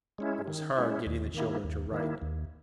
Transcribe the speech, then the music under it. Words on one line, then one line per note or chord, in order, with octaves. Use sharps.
It was hard getting the children to write.
G#3 C#4 E4
D#3
G#3 C#4 E4
D#2
D#3 A#3 E4
D#2
D#3 A#3 E4
D#2